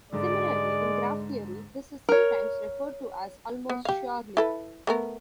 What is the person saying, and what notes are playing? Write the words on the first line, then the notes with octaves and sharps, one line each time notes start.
Similarly, in graph theory, this is sometimes referred to as "almost surely".
G#2 D3 G#3 D5
A#4 C#5
B3
G4 F5
E4 A4 B4
A3 B3 A#4